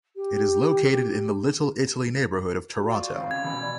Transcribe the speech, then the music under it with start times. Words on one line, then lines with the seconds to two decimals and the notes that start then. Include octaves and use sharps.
It is located in the Little Italy neighbourhood of Toronto.
0.16 G4
2.77 F#4
2.91 F4 D5 C#6
3.15 G#1 C4 F5
3.31 C#3 G#6
3.44 A1 B2 B5
3.61 D5